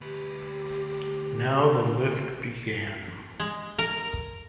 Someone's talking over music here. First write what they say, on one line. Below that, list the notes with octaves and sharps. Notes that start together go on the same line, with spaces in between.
Now the lift began.
D2 G4 B4
G#3
A#4